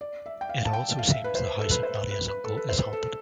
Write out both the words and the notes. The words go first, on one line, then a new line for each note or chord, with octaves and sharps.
It also seems the house of Nadia's uncle is haunted.
D5
E5
G5
F5
A5
G5
F5
E5
B4
C5
A4
B4
C5
B4
B4
B4
A4
B4
C5
A4